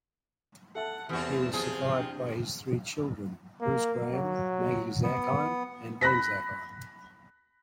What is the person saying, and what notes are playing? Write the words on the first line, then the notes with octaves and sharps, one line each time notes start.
He was survived by his three children; Bruce Graham, Maggie Zackheim and Ben Zackheim.
A4 E5 F#5 A5
E2 C3 E3 F#4 A5 D#6 G6
C3 F3 G#4
D4 G5
A#3
F#3
B3
B5 F#6 A#6 B6